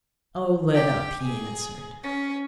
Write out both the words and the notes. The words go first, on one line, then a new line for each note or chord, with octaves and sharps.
"Oh, let up," he answered.
G4
G#4
C#4